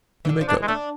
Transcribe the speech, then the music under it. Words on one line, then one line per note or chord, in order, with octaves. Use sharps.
"You may go."
E3
D3
F3
E3 D4
G#3
A3 D4